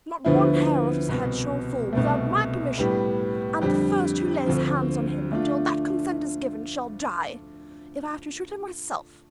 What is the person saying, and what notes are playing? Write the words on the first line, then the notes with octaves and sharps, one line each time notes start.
Not one hair of his head shall fall without my permission; and the first who lays hands on him until that consent is given, shall die, if I have to shoot him myself!
D2 D3 F3 B3 E4
C2 B2 B3
C2 B2 A3
A2 G3 B3
F2 D3 G3
D2 D3 F3 C4
D3 A3 D4 F4